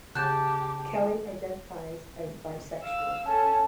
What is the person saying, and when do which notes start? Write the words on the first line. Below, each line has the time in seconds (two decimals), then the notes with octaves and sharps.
Kelly identifies as bisexual.
0.15 C#3 G4 A5 F#6 G6
2.83 F5 E6
3.25 C#4 A4 A5